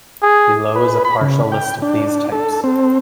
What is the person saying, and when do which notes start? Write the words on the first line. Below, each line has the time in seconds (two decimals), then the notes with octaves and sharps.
Below is a partial list of these types.
0.23 G#4
0.76 B4
1.05 B5
1.21 C#3
1.52 G5
1.82 D4
2.32 A4
2.64 C4